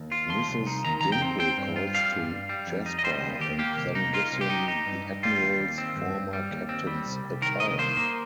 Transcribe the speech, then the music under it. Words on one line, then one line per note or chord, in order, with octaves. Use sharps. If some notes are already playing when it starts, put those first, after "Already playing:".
Mrs. Dimple calls to Jasper and then gives him the Admiral's former Captain's attire.
Already playing: D#2
F4
F3 C6
C2
D#4
D#3 A#5
F2 A#5
G5
C4
C4 G5
G2
F4
G3 F5
G2
G2
G3
F2
D#4
D#5
G3 C5
D#2
D#2 G4
A#3 G4
C2
D#4
A#3 F4
C2
G4
D#4
D#4
G2
G2
G3 F4
D#2
D#2
C4
G2
G2
G3
D#2
C4
G3
C2
C2
D#3 A#4
C2 D#5
A#3 C5
A#3